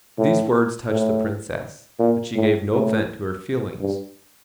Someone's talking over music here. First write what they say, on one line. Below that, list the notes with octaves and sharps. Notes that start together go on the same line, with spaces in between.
These words touched the Princess, but she gave no vent to her feelings.
A2
A2
A#2
A2
A2
G2